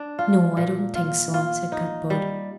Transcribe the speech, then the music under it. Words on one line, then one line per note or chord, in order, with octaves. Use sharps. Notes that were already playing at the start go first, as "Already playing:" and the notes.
"No, I don't think so," said Cuthbert.
Already playing: D4
F4
A#2
F4
F4
D#4
G3